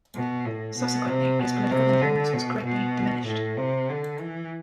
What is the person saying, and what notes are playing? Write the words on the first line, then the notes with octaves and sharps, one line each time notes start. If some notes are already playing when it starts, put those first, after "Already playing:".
Subsequently, his political influence was greatly diminished.
B2
A2
B2
C3
B2
C3
D3
B2
B2
A2
C3
D3
E3